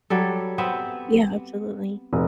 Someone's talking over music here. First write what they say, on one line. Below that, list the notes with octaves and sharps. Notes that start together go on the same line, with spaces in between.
Yeah, absolutely.
F#3 G3 A4
B3 C4 E5
F1